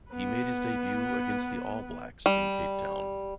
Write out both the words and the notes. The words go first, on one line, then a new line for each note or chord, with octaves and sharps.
He made his debut against the All Blacks in Cape Town.
B3 B4
G3